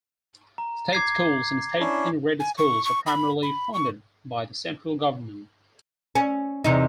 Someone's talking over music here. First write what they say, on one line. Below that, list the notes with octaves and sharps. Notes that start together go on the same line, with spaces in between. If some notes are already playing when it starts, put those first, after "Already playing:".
State schools and state integrated schools are primarily funded by the central government.
A#5
D6 G#6 C7
C#4 D4 E4
G#5
C#6
C#6
B5
B5
C#6
C#4
E2 C3 D#4